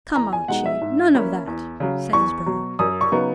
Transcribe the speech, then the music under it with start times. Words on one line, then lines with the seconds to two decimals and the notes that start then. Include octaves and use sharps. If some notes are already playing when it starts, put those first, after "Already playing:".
"Come, Archie, none of that," said his brother.
0.16 E2 A#5
0.33 G#5
0.48 B2 G#3 D#4 F#5
0.66 E5
0.81 G#2
1.14 E3 A#3 C#4 E4
1.48 E2
1.80 C#3 F#3
2.13 E2 C#6
2.46 B2 F#3
2.79 F#2 D#6
3.01 C#6
3.12 C#3 F#3 B3 D#4